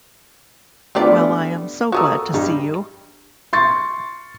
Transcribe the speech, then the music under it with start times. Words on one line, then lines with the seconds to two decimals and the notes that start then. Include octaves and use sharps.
Well, I am so glad to see you.
0.95 A3 B3 D4 F4 G4 D5
1.92 F#4 A4 A#4 C#6 D#6 E6
2.34 G2 D#4
3.53 C6 C#6 A6